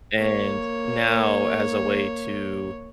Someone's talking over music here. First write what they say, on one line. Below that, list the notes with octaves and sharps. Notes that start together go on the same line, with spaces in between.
And now as a way to
A#3 C#5